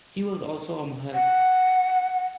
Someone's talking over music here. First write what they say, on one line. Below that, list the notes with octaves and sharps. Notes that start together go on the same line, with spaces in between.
He was also a mohel.
F#5